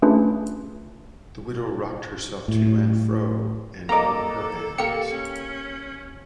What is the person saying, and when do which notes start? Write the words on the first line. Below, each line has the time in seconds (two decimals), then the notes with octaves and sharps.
The widow rocked herself to and fro, and wrung her hands.
0.02 A3 C#4 D4 F4 G#4 B4
2.48 A2
3.89 A#3 A4 D#5 A#5 D6
4.78 A#3 G4 C#7
5.11 C#4